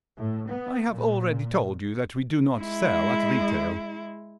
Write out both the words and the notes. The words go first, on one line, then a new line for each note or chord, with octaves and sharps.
"I have already told you that we do not sell at retail."
A2
B3
A#2
G#3 E4